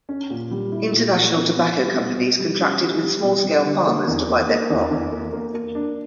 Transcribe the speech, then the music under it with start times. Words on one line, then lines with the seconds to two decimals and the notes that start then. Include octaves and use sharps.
International tobacco companies contracted with small-scale farmers to buy their crop.
0.09 C#4
0.30 A#2
0.51 G3
0.72 E4
0.93 A#2
1.14 A#2
1.35 B3
1.56 B3
1.77 G3
1.98 B2
2.18 B2
2.39 G3
2.61 C#4
2.82 G3
3.03 G3
3.23 B2
3.44 G3
3.65 D3
3.86 A#3
4.07 E2
4.28 A#3
4.49 A#3
4.70 E2
4.91 E2
5.12 A#3
5.32 A#3
5.54 A#3
5.75 D4